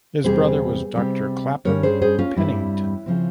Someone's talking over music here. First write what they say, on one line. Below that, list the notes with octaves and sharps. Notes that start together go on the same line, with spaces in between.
His brother was Doctor Clapham Pennington.
E2 C3 G3 C4 G#4 C5
C3 G3 C4
G2 G3 C#4 A#4 C#5
G#4 C5
G#4 C5
C#4 F4
G2 G3 C4 E4
C#3 F3 C4